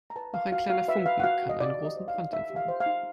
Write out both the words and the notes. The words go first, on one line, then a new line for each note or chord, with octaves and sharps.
Auch ein kleiner Funken kann einen großen Brand entfachen.
A#5
B4 A5
B4 F5
F#4 F5
F#4 F5
B4 E5
B4 F5
F#5
F#4 F5
F#4
D#5
D#4 D5
G4
D#5
C5
F5
D#4
D#4 E5
G4
F5
C5
F5
D#4